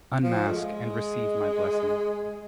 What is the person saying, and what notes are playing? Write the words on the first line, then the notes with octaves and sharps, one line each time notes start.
Unmask, and receive my blessing.
F3
A3
G#3